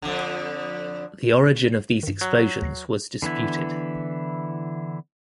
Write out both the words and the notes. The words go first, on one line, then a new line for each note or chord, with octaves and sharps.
The origin of these explosions was disputed.
F2 D3
C7
G2 D#3
F#3
D#2 A#6 C7
D3 E3 B3 E4